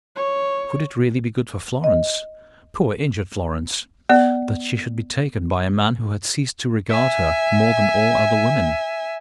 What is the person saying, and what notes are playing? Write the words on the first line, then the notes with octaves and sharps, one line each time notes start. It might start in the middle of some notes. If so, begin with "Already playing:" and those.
Could it really be good for Florence--poor injured Florence, that she should be taken by a man who had ceased to regard her more than all other women?
C#5
D#5
B3 D5
E5 G#5